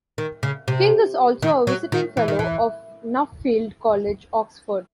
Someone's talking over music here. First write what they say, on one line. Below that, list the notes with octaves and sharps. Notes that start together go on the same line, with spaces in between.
King is also a Visiting Fellow of Nuffield College, Oxford.
D#3
C#3
C3
D#3
F#3
D#3
E3
D#3
E3